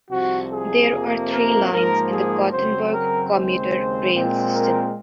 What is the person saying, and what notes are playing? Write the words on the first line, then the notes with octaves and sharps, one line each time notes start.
There are three lines in the Gothenburg commuter rail system.
C2 C3 F3 F#4
G#4
F2 C3 F3 A#3
A#4
G#2 F3 A#3 A#4
G#4
F#2 C#3 F#3 C4 C5
A#4
D#2 C#3 G#3 C4 C5
A#2 G#3 C4
A#4